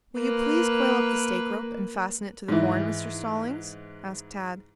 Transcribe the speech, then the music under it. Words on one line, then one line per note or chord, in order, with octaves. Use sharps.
"Will you please coil up the stake rope and fasten it to the horn, Mr. Stallings?" asked Tad.
A#3 B4
G#2 E3